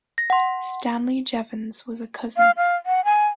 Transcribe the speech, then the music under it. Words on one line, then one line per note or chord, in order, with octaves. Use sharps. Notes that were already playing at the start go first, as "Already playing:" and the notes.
Stanley Jevons was a cousin.
A#6
F#5 C6
F5
F5
F#5
G#5